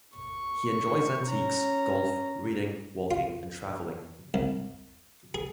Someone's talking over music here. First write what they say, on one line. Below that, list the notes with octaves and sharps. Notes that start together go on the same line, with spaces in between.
He enjoys antiques, golf, reading, walking and travelling.
C#6
C#4 A#5
F4
C2
G#4